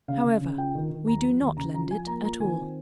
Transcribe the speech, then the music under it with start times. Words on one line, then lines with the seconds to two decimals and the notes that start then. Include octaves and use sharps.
However, we do not lend it at all.
0.08 C#3 F5
0.25 C#3
0.41 C#3
0.58 F4 G5
0.75 D#3
0.91 D#3
1.07 D#2 A#5
1.23 F3
1.41 D#2
1.57 C#3 A#5
1.74 F3 A#5
1.91 F3 G#5
2.07 A#3 A#5
2.23 F4 A#5
2.40 D#3 G#5
2.56 C4